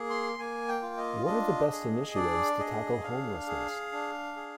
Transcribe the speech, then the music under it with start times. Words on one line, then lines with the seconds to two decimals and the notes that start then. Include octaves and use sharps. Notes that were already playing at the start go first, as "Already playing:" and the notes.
What are the best initiatives to tackle homelessness?
Already playing: A#3 G#4
0.10 C6
0.38 A#3 G#5
0.68 G5
0.82 F4
0.97 D#5
1.26 D4 D#5
1.71 G#4
2.14 D4 D5
2.59 G#4 D#5
3.03 D4 F5
3.47 G#4
3.92 D4
4.36 G#4